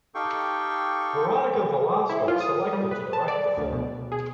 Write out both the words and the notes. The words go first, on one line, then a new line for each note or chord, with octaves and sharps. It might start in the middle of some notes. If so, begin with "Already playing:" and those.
Veronica Velasco selected to direct the film.
D#4 G4 A4 F5 G5 C#6
E4
F4
D#6
G3
B4
A5
D5
D2
B2
G#4